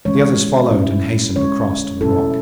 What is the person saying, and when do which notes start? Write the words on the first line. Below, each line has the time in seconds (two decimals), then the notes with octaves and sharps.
The others followed, and hastened across to the rock.
0.05 E3 G#3 C#4 C#5
0.71 B2 F#3 C#4 E4
1.36 D3 G#3 C#4 C#5
2.01 B2 F#3 C#4 E4 A4